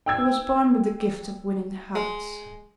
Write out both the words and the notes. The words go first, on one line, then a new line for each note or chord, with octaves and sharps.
He was born with the gift of winning hearts.
G5 E6 G#6
G#3